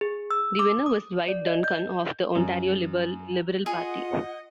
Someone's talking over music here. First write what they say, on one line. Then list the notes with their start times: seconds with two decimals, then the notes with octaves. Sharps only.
The winner was Dwight Duncan of the Ontario Liberal Party.
0.01 G#4
0.31 E6
0.59 D6
0.86 D#6
1.28 D5
1.47 D#5
1.64 G6
2.35 F#2
3.66 F4 G#4 D#5 F#5